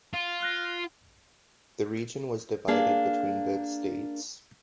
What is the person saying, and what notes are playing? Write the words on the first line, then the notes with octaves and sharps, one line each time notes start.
The region was divided between both states.
F4
F6 F#6 A#6
A#3 D4 G#4 F5